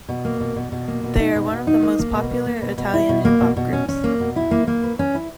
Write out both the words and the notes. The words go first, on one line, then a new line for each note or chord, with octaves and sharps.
They are one of the most popular Italian hip hop groups.
B2
A#3
B2
B2
B2
A#3
B2
D#4
B2
B2
D#4
A#3
A#3
B2
A#3
A#3
B2
B2
E4
B2
A#3
B2
B2
C#4
C#4
A#3
B2
E4
A#3
A#3
B4
C#4
E4